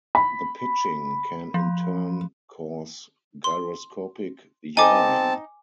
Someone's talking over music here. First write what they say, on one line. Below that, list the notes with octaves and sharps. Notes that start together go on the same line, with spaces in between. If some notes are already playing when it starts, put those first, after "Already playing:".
The pitching can in turn cause gyroscopic yawing.
B5
F3
C6
C4 D#4 G#5 A5 D6